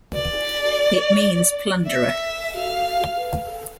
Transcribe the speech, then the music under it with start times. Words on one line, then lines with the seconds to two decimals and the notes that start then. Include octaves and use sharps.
It means 'plunderer'.
0.14 D5
1.87 E5
2.56 F5